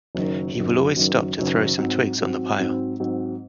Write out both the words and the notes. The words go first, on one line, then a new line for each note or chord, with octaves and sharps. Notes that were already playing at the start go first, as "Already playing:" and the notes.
He will always stop to throw some twigs on the pile.
F#1 F#2 D#3
F#1 F#2 D#3
F#1 F#2 D#3
F#1 F#2 D#3
G#2 F#3 C4
G#2 F#3 C4
G#2 F#3 C4
G#2 F#3 C4